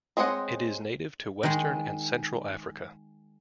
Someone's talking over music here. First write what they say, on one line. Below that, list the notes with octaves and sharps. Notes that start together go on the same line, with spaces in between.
It is native to western and central Africa.
G#3 C4 C#5 D#5 F#5
D#3 G#3